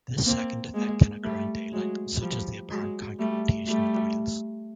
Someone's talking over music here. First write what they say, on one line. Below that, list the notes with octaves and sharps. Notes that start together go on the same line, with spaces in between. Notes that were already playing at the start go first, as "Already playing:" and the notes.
This second effect can occur in daylight, such as the apparent counter-rotation of wheels.
A#3 C4
G#3 A#3
G3 A3
F#3 G#3
F3 G3
F#3 G#3
G3 A3
G3 A3